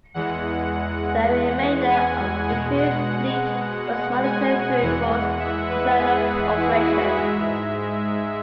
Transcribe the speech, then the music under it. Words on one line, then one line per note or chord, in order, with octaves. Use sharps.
The remainder of the field fleet was monitored through Ford's internal operations.
E2 E3 G#3 F#5
G#5
B2 G#3 F#5
F#5
G#5
E2 E3 G#3 F#5
E5
B4
G#4
E4
F#4
G#2 G#3 E5